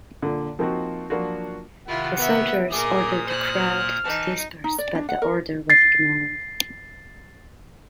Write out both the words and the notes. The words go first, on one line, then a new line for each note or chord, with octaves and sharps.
The soldiers ordered the crowd to disperse, but the order was ignored.
A#2 D3
F3 A#3 C4 D#4 F4 F#4
F3 F#3 A#3 D4 F4 F#4
C3 D#3 E4 F4 F#5
B3 E5
A#2 A#3 G#4 A#4 D6 D#6
C5 F6 F#6
E3 D#4 A5
D#4
D5
D4
F#5
A#4
A6 C7